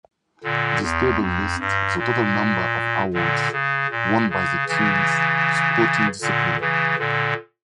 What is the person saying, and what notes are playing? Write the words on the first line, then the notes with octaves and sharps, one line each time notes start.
This table lists the total number of awards won by the teams sporting discipline.
A#2 D3
E2
F2
G2
A#2
A#2 D3
C#3
A#2
C#3
C#3 E3
A#2 D3
C#3 E3
A#2 D3